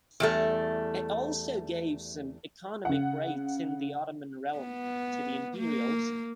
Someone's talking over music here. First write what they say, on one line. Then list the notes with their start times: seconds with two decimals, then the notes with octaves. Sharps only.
It also gave some economic rights in the Ottoman realm to the Imperials.
0.20 E2 G3 A3
2.85 C#3 F#5
4.58 B3
5.57 A#3